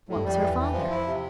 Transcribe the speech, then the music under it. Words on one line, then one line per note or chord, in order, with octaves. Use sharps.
"What was her father?"
A2
G2
F2 G3
E3
E2
E3
F2 F3
E4
C3